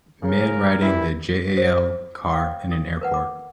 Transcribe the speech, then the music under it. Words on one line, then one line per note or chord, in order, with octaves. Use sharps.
Man riding the JAL car in an airport.
C#3 A#4
F#2 E3 G3 E4
C5
F5 G5
A4
A#4 B4 F#5
D6